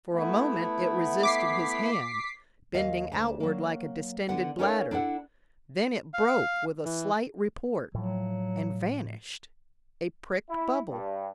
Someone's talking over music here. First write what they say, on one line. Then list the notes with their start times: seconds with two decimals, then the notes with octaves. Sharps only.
For a moment it resisted his hand, bending outward like a distended bladder, then it broke with a slight report and vanished--a pricked bubble.
0.12 A3 B3 E4
1.23 D6 B6 C7
2.74 D#2 D#5 F5
3.12 D2 A5
3.40 F#3 A#3
4.29 D3 B3 E4 F#5
4.59 C#4 D#4 A4 A#4 C#5 F5
4.91 D4 E4 A4 F#5
6.14 F5
6.85 E3
7.94 A2 F3 F#3
10.50 E4
10.89 G2